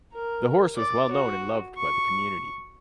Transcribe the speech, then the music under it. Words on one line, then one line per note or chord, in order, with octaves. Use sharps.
The horse was well known and loved by the community.
A#4
D5
F#4
C#6